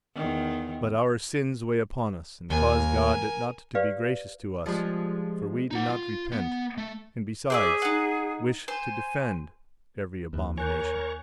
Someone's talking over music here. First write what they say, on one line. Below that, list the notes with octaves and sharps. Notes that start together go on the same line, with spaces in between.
But our sins weigh upon us and cause God not to be gracious to us; for we do not repent, and, besides, wish to defend every abomination.
E2 D#3
D#2 A#4 G#5
G4 B4 D5 F5
F3 G3 G#3
D#4 F#5
F4
B3
A3
G#4 C5 D5 E5
D#4 F#5
C5 G#5
D#2 E3
A#4 C#5 G#5 A#5 C#6 F#6 G6